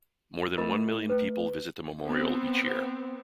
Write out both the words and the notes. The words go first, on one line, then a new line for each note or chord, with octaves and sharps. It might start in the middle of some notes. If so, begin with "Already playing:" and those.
More than one million people visit the memorial each year.
A3 F4 A#4 D#5
B4
B3 C4